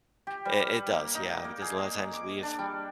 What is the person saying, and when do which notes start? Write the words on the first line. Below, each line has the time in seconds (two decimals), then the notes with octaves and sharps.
It it does, yeah, because a lotta times we've,
0.27 G4
0.45 G3
0.68 B4
0.90 A#3
1.15 D#4
1.45 A#3
1.62 G#4
2.13 D6
2.43 D4
2.59 G3